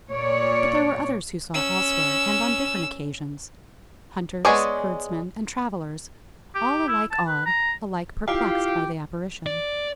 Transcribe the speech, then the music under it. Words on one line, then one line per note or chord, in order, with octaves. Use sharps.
But there were others who saw it elsewhere and on different occasions-- hunters, herdsmen, and travellers--all alike awed, alike perplexed, by the apparition.
A#2 C#5 D5
C#4 E6
G#3 B3 G#4 C#5 D5
G4
E4
A5
B4
A#5
E4 F4 G4 F5
D5